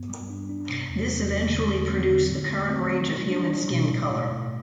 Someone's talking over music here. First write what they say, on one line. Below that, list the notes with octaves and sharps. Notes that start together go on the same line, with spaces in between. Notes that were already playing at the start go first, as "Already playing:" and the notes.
This eventually produced the current range of human skin color.
Already playing: G2 B3
G3
D4
D4
C3
E2
E2
E2
D3
A3
C4
D3
A2
A3
C4
F#3
G3
D4
G3
B2
A2
A2
A2